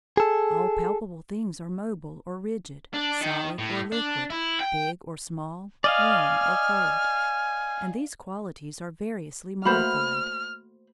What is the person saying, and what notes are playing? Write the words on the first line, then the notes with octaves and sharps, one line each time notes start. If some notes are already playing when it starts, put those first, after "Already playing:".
All palpable things are mobile or rigid, solid or liquid, big or small, warm or cold, and these qualities are variously modified.
G#4 A4
D4
D#3
A2
D4
E4
G5
D5 D#5 F5 G#5 F6
A3 A#3 F#4 C5 B5 F6